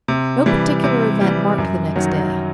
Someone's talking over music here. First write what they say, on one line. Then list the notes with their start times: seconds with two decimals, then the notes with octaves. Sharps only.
No particular event marked the next day.
0.08 C3
0.46 E3 G3
0.84 C3
1.21 E3 G3
1.58 F#2
1.96 D#3 F#3